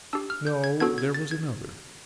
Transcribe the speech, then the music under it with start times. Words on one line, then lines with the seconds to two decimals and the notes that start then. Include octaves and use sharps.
'No there was another.
0.13 D4 G4 E6
0.30 F6
0.47 G6
0.64 G#6
0.80 B3 D4 F#4 A4 G#6
0.98 G#6
1.14 A6
1.31 G#6